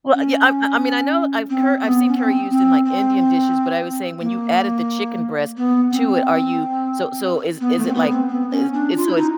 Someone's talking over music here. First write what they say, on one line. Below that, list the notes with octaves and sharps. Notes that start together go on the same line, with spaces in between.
Well, yeah, I I mean I know I've curr I've seen curry used in, like, Indian dishes, but I was saying, when you added the chicken breast to it, are you so so is is it like is so it's
C#4
C4
B3
C#4
C4
C4
C4
A#3
B3
C4
B3
A3
C4
B3
C4
B3
C#4
D4
F4
E4
D#4